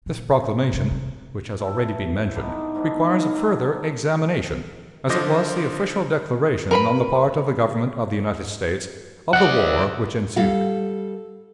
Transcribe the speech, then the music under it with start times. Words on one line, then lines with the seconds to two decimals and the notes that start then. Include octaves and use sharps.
This proclamation, which has already been mentioned, requires a further examination, as it was the official declaration, on the part of the Government of the United States, of the war which ensued.
0.06 A#2
0.72 A#1 C3
0.91 C2 D#3
1.59 E3 A4
2.34 B3 D4 D#4
2.75 G#2 D3 D#3 B3
3.10 F5
3.34 F#3 G3 G4 A4
5.09 D3 F3 C5 D#5 D6 A#6
6.71 A#4 B4 B5
9.33 D5 E5 F#5
10.36 G3 A4 F5 F#5